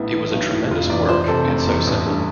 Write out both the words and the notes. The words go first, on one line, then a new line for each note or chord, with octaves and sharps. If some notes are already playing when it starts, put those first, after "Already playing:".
It was a tremendous work - and so simple.
Already playing: B1 A2 B3 E4
E3
B1
A2
F1 F4
E2 D5
F3 C5
C3 A4
F1
E2
A1
G2